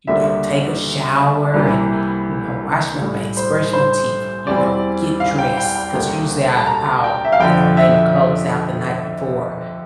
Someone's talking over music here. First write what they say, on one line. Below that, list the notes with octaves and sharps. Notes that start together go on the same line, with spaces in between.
you know, take a shower and, you know, wash my face, brush my teeth, you know, get dressed, 'cause, usually, I I'll, you know, lay my clothes out the night before,
D2 D3 G3 A#3 E5
C2 C3 E3 A#3
A1 A2 G3
C5
C5
E2 E3 G3 C4 D5
F5
G5
G5
G5
D2 C3 G3 A#3
A5
A#5
G5
E5
F5
F2 D3 F3 G5
E5